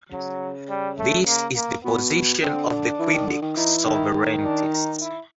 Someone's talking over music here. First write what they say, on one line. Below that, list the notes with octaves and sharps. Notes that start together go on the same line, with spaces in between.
This is the position of the Quebec sovereigntists.
C#3 F#3
G3
A3
A#3
A#3
B2 B3
D3 C4
D4
E3
D#3
D3
D#3
E3 D#4
D#3 E4
D#4
D4
D#4
E4